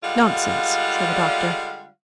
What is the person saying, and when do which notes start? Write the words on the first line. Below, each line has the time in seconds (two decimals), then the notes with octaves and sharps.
"Nonsense," said the Doctor.
0.03 D3 G3 G#3 F4 F5 F#5